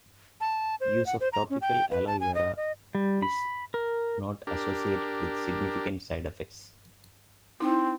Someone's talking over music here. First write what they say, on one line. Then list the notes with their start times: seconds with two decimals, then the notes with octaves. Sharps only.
Use of topical aloe vera is not associated with significant side effects.
0.41 A5
0.80 C5
1.06 F#5
1.20 C5
1.33 A#5
1.50 C#4
1.62 G5
1.91 B4
2.07 A5
2.20 G#5
2.35 D#5
2.57 D#5
2.95 G3
3.22 B5
3.74 A#4
4.47 D4 G4 A#4
7.60 C4 D#4 E4